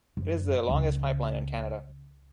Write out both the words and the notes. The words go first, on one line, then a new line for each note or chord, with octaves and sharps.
It is the longest pipeline in Canada.
F#2
C#2